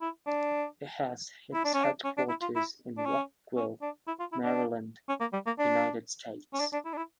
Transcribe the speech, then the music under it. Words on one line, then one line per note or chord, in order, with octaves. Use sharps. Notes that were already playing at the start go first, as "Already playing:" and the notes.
It has its headquarters in Rockville, Maryland, United States.
E4
D4
E4
D4
C#4
D4
C#4
D4
E4
F4
E4
D4
C#4
C#4
D4
E4
F4
E4
D4
C#4
A#3
G3
A#3
D4
C#4
D4
D4
E4
D4
E4